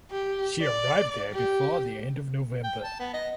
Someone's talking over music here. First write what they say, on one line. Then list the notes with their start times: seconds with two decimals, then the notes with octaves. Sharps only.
She arrived there before the end of November.
0.11 G4
0.61 D5
1.34 G4
2.64 G5
2.84 A5
3.00 B3
3.14 D#5